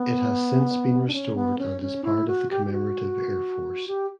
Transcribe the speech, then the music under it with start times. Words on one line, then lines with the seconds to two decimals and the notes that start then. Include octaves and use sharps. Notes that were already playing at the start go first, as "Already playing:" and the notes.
It has since been restored and is part of the Commemorative Air Force.
Already playing: B3
1.07 D4
1.13 C#4
1.36 B3
1.58 C#4
1.81 C#4
2.04 E4
2.27 F#4
2.50 G4
2.66 G4
2.72 F#4
3.88 G4